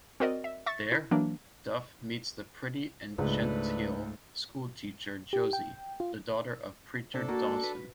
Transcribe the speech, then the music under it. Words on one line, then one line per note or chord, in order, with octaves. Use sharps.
There, Duff meets the pretty and genteel schoolteacher Josie, the daughter of Preacher Dawson.
C4 F#4 A#4 D5 D#5
E5
E5 C#6 A6
E4
E3 F#3 A#3 D4
C#2 G#2 A3 D4 B4
G4
G5
F4
C3 D4 A4
A#3 F#4
B4